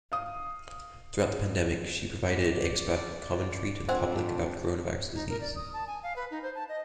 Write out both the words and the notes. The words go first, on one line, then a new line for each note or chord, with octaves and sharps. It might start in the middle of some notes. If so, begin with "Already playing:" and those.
Throughout the pandemic she provided expert commentary to the public about coronavirus disease.
F5 D#6
D5
F2 C4 D4 C5 F#5 G#5
D#4
A#4
D5
D#6
A5
G#5
F5
B4
D#4
C5
A5
D#5